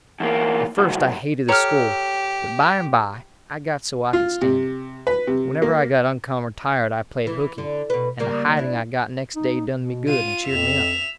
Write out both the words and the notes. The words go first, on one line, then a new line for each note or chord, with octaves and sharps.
At first I hated the school, but by and by I got so I could stand it. Whenever I got uncommon tired I played hookey, and the hiding I got next day done me good and cheered me up.
E2 A#3
C2 F#2
G4 A4 C#5 A#5 F6
F4
C3
B4
C3
A#3
E3
D3
B2 B4
C#3 G3 A#3
D4 E4
D#4
B2
F4 D#7
F2 E5 F7